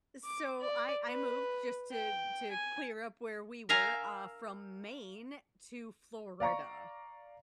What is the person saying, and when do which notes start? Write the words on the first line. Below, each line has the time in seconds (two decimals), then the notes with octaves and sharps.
So I I moved just to to clear up where we were, uh, from Maine to Florida.
0.24 D6
0.60 D5
1.07 B4
1.92 G5
2.51 G#5
3.69 A#4 E5 F5 G#5 A#5
6.40 D5 F5 A#5 C#6